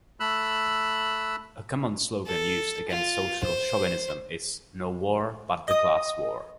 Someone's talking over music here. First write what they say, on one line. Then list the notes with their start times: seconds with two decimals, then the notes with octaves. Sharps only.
A common slogan used against social-chauvinism is "No War but the Class War".
0.20 A3 B5 E6 F#6
2.27 A4
2.90 F4
3.44 C5
5.68 D#5 D#6